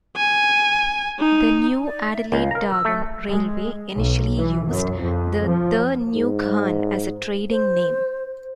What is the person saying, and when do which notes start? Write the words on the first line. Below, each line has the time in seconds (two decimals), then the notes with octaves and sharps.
The new Adelaide-Darwin railway initially used the "The New Ghan" as a trading name.
0.17 G#5
1.19 D#4
1.85 D5
2.12 E5
2.32 C#2 F5
2.51 A#4 A#5
2.70 E6
2.85 A3
3.27 G#3
3.93 B1
4.37 E3
4.69 F#2
5.02 F2
5.46 F3
6.14 G#2
7.50 C5